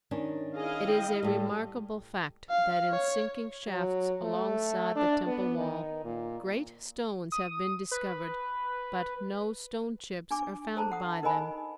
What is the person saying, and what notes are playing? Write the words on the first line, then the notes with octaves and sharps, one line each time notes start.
It is a remarkable fact that in sinking shafts alongside the temple wall, great stones have been discovered but no stone chips are found by them.
D#3 C#4 D4
E4 G#4 D#5 F5
G5
A2 G3 A4
F5
C#5
F#3
A3
D4
B3
D#3
A#2
D#6
B4
D4 G#5 D6
A4 C5 A5 A#5
F#5 D#6
D#4 A#4 C5 D#5 G#5 B5